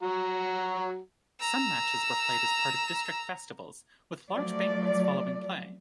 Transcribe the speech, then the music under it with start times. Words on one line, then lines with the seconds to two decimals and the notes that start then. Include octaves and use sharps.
Some matches were played as part of district festivals, with large banquets following play.
0.03 F#3 F#4 A#5
1.40 A#5 E6
4.31 F3 F#3 A3 D5